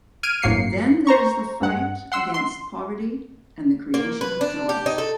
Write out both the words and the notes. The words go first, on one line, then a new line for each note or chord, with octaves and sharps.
Then there is the fight against poverty and the creation of jobs.
F6 G#6 D7 D#7
G1 A2 F#3 A#3 C7 C#7
C5 A#5 C#6
G2 F#5
F#5 C6 E6
C6
A#3
B4
D4
G4
D#4
A4